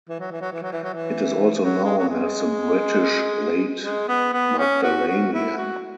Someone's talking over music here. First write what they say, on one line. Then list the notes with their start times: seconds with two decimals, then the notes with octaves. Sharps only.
It is also known as the British Late Magdalenian.
0.09 E3
0.19 F#3
0.31 E3
0.41 F#3
0.52 E3
0.62 F#3
0.73 E3
0.84 F#3
0.94 E3
1.59 F#3
1.84 G#3
1.98 F#3
2.09 G#3
3.83 G#3
4.08 B3
4.33 B3
4.59 C#4
4.83 F#4
5.08 F#4
5.33 E4
5.57 F#4